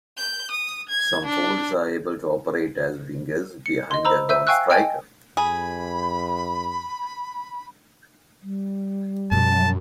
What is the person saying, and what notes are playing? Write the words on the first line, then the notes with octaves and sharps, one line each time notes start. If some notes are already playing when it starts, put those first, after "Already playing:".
Some forwards are able to operate as wingers behind a lone striker.
G6
D#6
G#6
D4
C#7
D#5 C6
C5 A#5 B5 E6
E5 E6 G6 D#7
F5 G5 G#5 C#6 E6 F#6
D#5 G5 G#5
F2 G#4 B5
G3
F#2 B2 F3 A5